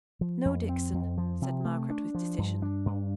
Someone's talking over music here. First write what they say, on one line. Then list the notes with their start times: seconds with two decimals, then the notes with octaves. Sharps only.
'No, Dixon!' said Margaret with decision.
0.21 F3
0.45 F2
0.69 C4
0.93 F2
1.18 F3
1.42 C3
1.65 A3
1.90 D4
2.15 F3
2.38 G2
2.62 D4
2.86 G2